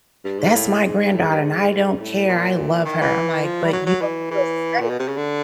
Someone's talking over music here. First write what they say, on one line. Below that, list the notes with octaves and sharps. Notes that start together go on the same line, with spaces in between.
"That's my granddaughter, and I don't care, I love her." I'm like, "But you don't feel safe."
G2
G#2
A2
G#2
G#2
A2
G#2
G2
G#2
A2
A#2
D#3
E3
F3
G3
F#3
F#3
E3
E3
A#2
B2
C3
C#3
D3